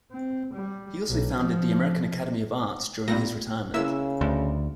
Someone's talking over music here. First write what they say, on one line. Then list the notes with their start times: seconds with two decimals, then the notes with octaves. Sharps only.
He also founded the American Academy of Arts during his retirement.
0.12 C4
0.54 G3
1.09 B1
1.38 F3
3.08 A#2 G3 A3 B3 D#4 A#6
3.74 C#3 A#3 E4 B4 C#5 E5 E6
4.21 D2